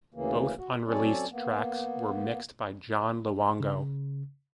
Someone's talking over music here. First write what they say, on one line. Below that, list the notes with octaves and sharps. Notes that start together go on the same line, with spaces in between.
Both unreleased tracks were mixed by John Luongo.
D2 C#3 E3 A#3
F#4
F#3 C4 C#4 A4 C#5 D5
A#3 B3
C#3